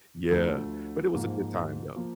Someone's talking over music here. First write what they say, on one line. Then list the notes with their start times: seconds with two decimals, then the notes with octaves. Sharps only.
Yeah, but it was a good time, though.
0.31 D2 D3 F3 A3
1.13 G#2 F3 A#3
1.96 F3 A#3